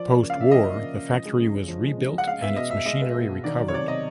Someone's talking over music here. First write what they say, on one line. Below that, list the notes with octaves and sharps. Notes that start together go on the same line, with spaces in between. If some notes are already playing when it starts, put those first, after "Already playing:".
Post war the factory was rebuilt and its machinery recovered.
Already playing: F3 D5
A#3
C#3
F5
C#3 E5
F3 D#5
A#3
C#3
C#3
F3
G#3
C#3
C#4
F3
G#3
C#3
C#4
F#5
G#3 F5
B3 E5
B2 D#5
B2 E5
G#3 D#5
B3
B2
B2
D#3 D5
F#3
C#5
C3 D5
C3 D#5